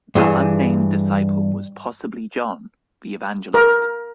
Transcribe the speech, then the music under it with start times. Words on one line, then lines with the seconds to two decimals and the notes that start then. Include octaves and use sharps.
The unnamed disciple was possibly John, the evangelist.
0.15 G2 E3 G#4
3.54 A#4